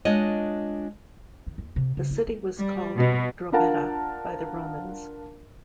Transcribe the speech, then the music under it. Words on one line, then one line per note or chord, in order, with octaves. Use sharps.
The city was called "Drobeta" by the Romans.
G#3 D4 F4 C#5 D#5
D#3
D#2
C3
C#3
E4
D#4
G3
B2
D4 F4 A#4 F5 F#5 A5